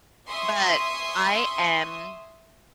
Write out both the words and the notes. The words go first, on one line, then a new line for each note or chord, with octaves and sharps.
But I am
E5 G#5 C6 C#6 D#6